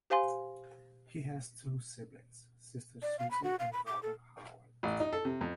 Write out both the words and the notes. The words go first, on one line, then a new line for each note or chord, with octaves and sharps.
He has two siblings: sister Susie and brother Howard.
G4 C5 F5 G#5 C6
D5
F5
B5
F#4
F5
B5
D6
A4
A1
D#4
A4
C3
F2